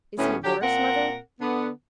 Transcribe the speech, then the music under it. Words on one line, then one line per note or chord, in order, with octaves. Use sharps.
"Is he worse, mother?"
D2 A2 B3 C#4 E4
D3 F#3 G4
A#2 C4 A#4 F#5
D3 B3